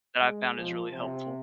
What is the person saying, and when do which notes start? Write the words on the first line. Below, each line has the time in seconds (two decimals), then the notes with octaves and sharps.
that I found is really helpful.
0.21 G#3
0.57 F3
0.91 C3